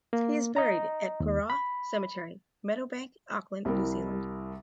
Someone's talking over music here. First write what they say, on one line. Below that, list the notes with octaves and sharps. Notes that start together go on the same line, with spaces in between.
He is buried at Purewa Cemetery, Meadowbank, Auckland, New Zealand.
A#3
D#5 A#5
D#2
B5
C2 G3 C4 E4 A#4